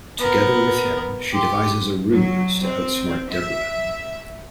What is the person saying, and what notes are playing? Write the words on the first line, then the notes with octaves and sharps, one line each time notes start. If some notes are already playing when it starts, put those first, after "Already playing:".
Together with him, she devises a ruse to outsmart Debra.
B3 A#4
G4 C6
F#3
C4
E5